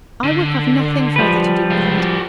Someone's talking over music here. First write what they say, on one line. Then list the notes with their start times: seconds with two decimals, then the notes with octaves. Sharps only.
I will have nothing further to do with it.
0.24 D3
1.16 F3 G3 B4
1.71 G#3 F4
1.99 F#4 G4